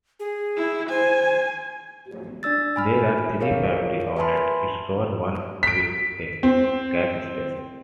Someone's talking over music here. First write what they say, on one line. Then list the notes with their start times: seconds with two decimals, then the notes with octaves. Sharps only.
There are three family owned stores, one with a gas station.
0.19 G#4
0.58 E4
0.90 C5 G#5
2.43 D4 D5 E6 A6
2.76 G#5 B5 F6
3.41 G#4 A#4 C#5 F5
4.17 B4 E5 G#5 A5 B5 C6
5.63 B6 D7
6.43 C4